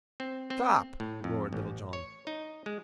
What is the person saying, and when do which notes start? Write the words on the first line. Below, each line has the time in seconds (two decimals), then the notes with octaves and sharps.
"Stop!" roared Little John.
0.20 C4
0.50 C4
1.00 A2
1.24 F2
1.53 A1
1.93 C#5
2.27 D#4
2.66 G#3